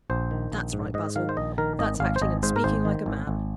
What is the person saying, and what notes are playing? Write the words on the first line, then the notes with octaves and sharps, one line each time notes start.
"That's right, Basil! that's acting and speaking like a man!"
A#1 C5
D#3
A#1
G#2
G#2 D#5
D#3 F5
C5
A#1 D#5
D#3 A#4
G#1 D#5
G#1 F5
C5
G#1 D#5
G#2 C5
A#4
G#1 C5
D#3
G#1
G#1